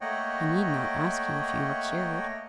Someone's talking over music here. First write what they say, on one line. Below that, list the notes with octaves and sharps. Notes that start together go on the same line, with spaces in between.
I need not ask you if you were cured.
A3 A#3 C#5 D#5 F#5 G5